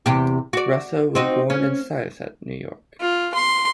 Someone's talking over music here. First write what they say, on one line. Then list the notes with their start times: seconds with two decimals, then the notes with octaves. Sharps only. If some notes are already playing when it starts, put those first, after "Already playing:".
Russo was born in Syosset, New York.
0.06 E2 C3 G4
0.53 F#4 D5
1.15 C4 D#4 F#4
1.50 C#4
3.01 F4
3.34 C6